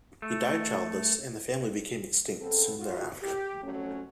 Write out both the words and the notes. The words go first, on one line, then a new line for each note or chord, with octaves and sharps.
He died childless, and the family became extinct soon thereafter.
A3
C#3 B3 C4 A4
F4 F#4
G4
F2 F#3 A3 C#4